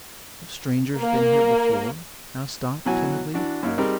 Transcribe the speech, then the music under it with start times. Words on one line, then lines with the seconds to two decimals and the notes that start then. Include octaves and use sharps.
"Have strangers been here before?" asked Dot, timidly.
0.98 A#3
2.85 B2 E3 F#3 F#4 G#5
3.34 E3 D4 F#4
3.63 F#2 A#3 D#4
3.78 G3 C4 D#4 G4 G#4 A#4